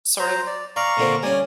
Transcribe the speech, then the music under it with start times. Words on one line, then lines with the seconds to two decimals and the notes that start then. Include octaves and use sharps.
sort of
0.19 C5 A#5
0.47 D5
0.76 D5 F5 A#5 C#6
0.97 A#2 D3 C4
1.23 G3 C#4 G#5